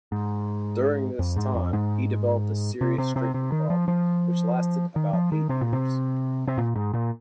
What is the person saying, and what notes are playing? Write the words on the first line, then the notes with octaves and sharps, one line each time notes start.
During this time he developed a serious drinking problem, which lasted about eight years.
G#2
F2
G#2
F2
G#2
C3
C3
C3
C3
D#3
F3
F3
D#3
F3
D#3
C3
A#2
C3
C3
A#2
G#2
A#2